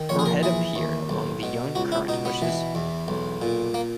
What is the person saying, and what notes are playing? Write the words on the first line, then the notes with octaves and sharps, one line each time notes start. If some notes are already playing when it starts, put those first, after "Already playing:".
Her head appeared among the young currant-bushes.
Already playing: D#3
A#1 C#5
G#4
A#4
E3 G#4
D#2
B1
B2
C#2 F#4
E4
B2 D#4
B3
E3
E2
B1
A#2
A#3